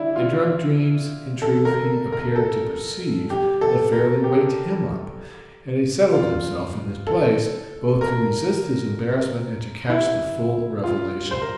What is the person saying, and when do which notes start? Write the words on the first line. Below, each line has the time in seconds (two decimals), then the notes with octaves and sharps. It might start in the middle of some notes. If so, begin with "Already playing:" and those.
They dreamt dreams, in truth, he appeared to perceive, that fairly waked HIM up, and he settled himself in his place both to resist his embarrassment and to catch the full revelation.
Already playing: D4 E4
0.16 F4
1.42 A4
1.65 A#4
2.12 A#4
2.36 A4
3.30 G4
3.61 A4
3.93 A#4
4.24 G4
6.13 F4
7.07 A4
8.01 A#4
9.90 E4
10.84 F4
11.31 C5
11.42 A#4